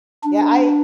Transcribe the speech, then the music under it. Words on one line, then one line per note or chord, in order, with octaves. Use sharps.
Yeah, I
D4